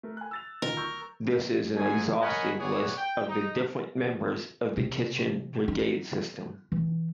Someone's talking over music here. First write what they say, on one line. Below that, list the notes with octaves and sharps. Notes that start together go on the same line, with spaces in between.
This is an exhaustive list of the different members of the kitchen brigade system.
A3 A#4
G#5 F#6
E6 A6 F7
D1 D#3 F4 A#4
C#6 E6 G6
G#2 F#3 A3 G#4 G#5
A#4 C#5 D#5 F#5 G#5 B5
B3 G#4 C#5 D5 F#5
G5
D#4
C3
D#4
E3